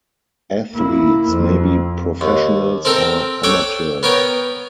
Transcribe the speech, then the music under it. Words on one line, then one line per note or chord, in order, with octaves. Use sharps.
Athletes may be professionals or amateurs.
A#3 E4
F2
D#2
C4 A4 A#4 G5 A5
A4 C#5 D5 F#5 G5
B3 A#4 C#5 G5